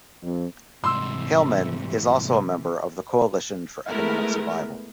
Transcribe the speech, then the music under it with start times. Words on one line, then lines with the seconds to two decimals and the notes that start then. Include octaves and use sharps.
Heilman is also a member of the Coalition for Economic Survival.
0.23 F2
0.84 C2 G#2 C3 E3 C6 E6
3.88 G#3 A3 B3 E4 A#4